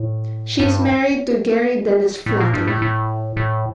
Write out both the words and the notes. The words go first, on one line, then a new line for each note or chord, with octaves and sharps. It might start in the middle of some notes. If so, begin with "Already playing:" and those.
She is married to Gary Denis Flather.
Already playing: A2
G2
A2
A#2
G2
A2
A2
A2